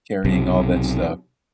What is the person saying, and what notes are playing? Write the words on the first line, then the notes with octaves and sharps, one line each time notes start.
carrying all that stuff
B1 C3